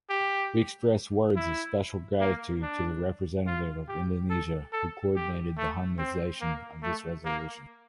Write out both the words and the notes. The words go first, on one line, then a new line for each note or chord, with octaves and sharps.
We express words of special gratitude to the representative of Indonesia who coordinated the harmonization of this resolution.
G4
E4
A#3
D4
F4
G4
A4
A4
G4
A3
C4
A#3
A3
A#3